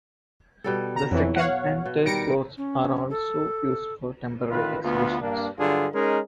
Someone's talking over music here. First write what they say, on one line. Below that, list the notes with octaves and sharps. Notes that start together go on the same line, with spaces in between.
The second and third floors are also used for temporary exhibitions.
B2 G3 A4
A#5
F2 E3 F#3
C#5 F5 F#5
B2
D#3 G3 A#6 C#7 D7
C#4
A4
A1 D#3 F4 B4
D2 B3 F4
G2 A#3 D4
G2 D3 F#3 D4 F4 G#4
G#3 C#4 D#4 G#4 A#4